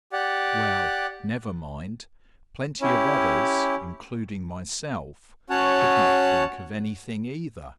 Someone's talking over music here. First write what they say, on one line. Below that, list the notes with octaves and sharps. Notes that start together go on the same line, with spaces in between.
Well, never mind: plenty of others, including myself, could not think of anything either.
G4 D5 F#5
C#4 E4 G4
C#4 F#4 C#5 F#5 A5